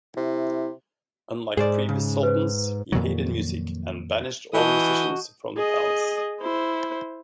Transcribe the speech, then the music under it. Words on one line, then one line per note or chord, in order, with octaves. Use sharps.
Unlike previous Sultans, he hated music, and banished all musicians from the palace.
C3 E4
G#2 G#4 C5 D5
C#3
B4 C5
F2 A#2 D#3 F#3
E3 F#4 D#5 A5 C#6 D#6 G6
G#4 D#5
E4 C5